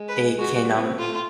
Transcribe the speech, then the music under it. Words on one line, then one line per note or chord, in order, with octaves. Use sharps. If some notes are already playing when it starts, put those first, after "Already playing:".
it can, um
Already playing: G#3
B4
G#3 F#4
G3
G3
B3
C4
A3 F4